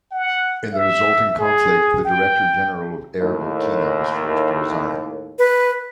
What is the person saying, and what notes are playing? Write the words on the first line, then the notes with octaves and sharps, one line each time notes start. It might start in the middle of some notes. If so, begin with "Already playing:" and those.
In the resulting conflict, the director-general of Air Burkina was forced to resign.
F#5
E5
G#4
G5
D#2 A2
B4